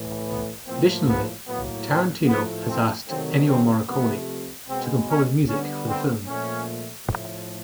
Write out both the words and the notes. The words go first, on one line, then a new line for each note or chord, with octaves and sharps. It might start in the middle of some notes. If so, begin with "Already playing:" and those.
Additionally, Tarantino has asked Ennio Morricone to compose music for the film.
Already playing: A2 E3 A3
B3
A2 F3 A#3 C4
B3
A2 F#3 A#3 B3
C4
A2 F3 A3 B3
C4
C3 D#3 F#3 A3 C4
C4
C3 F3 A3 B3
B2 G#3 B3 C4
C#4
D3 G3 B3 C#4
C4
A#2 F3 A3 C#4
A2 F3 A3